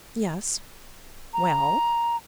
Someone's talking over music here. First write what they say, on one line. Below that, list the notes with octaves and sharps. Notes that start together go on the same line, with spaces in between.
"Yes." "Well?"
A#5